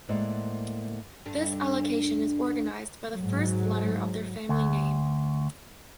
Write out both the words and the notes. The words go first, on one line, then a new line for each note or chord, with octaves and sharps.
This allocation is organised by the first letter of their family name.
A2 G#3 A#3 C5 D5 F#5
G2 D3 D4
G#2 F#3
D2